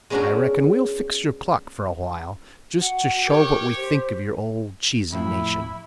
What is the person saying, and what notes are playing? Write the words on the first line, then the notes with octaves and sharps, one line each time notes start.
I reckon we'll fix your clock for a while just to show what we think of your old cheesy nation.
G#3 B3 C#4 D4 F#4 A#4
F#4 F#5
G4 A#4 C#5 G5 D6
G4 C5
F2 A2 E4